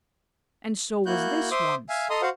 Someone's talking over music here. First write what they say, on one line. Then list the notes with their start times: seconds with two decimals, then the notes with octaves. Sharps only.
And so was this one's.
1.06 A#3 E4 F#4 F#6 G6
1.51 C5 E5 C6 D6 D#6
1.89 E5 F5 G#5
2.10 A4 D#5 A#5 C6 D#6
2.22 F#4 C5 F5 F#5